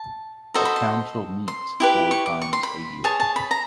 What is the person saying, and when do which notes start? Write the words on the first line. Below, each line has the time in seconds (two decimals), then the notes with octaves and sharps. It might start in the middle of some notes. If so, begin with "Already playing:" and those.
The council meets four times a year.
Already playing: A5
0.54 F#4 A4 C5 D#5 A#5
0.65 B5
0.76 C6
1.48 C6
1.80 E4 G4 B4
2.11 C#6
2.26 D6
2.42 C#6
2.53 C6
2.63 B5
3.04 G#4 C#5 A5
3.20 A5
3.36 B5
3.51 A#5